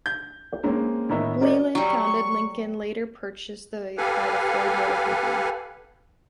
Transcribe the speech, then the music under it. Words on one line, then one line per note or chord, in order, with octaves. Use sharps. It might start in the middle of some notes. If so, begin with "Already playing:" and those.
Leland founded Lincoln, later purchased by the Ford Motor Company.
G6
G#3 A#3 C4 C#4
A2 D#3 B3 D#4 A#4 E5
C#4 F#4 A#4 C5 D5 D#5
F#3 G3 C#6
G4 A4 B4 F5 F#5 G#5